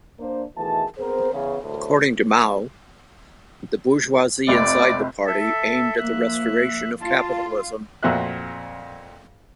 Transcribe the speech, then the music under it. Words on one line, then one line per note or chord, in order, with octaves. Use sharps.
According to Mao, the bourgeoisie inside the party aimed at the restoration of capitalism.
A#3 D4 C5
B2 D#3 E3 A3 G#4 A5
B3 C4 G#4 A#4 C5
E2 C#3
D2 A2
F1 D5
A4 E5
F3 A#3 E5 F#6
F4 A5
F2 A#2 C4 F#4 E5 F#6